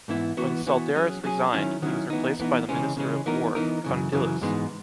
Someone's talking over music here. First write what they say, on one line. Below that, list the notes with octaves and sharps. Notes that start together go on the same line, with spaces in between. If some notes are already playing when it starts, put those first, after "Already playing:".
When Tsaldaris resigned, he was replaced by the Minister of War, Kondylis.
G#2 E3 B3 E4
E3 B3 F#4
E3 B3 F#4
F#3 C#4 G#4
F#3 C#4 G#4
D#3 F#3 C#4 E4
D#3 F#3 C#4 E4
E3 B3 D#4
E3 B3 D#4
C#3 E3 G#3 C#4
C#3 E3 G#3 C#4
E3 B3 D#4 A#4
E3 B3 D#4 A#4
F#2 C#3 E3
F#2 C#3 E3
G#2 E3 G#3 B3 D#4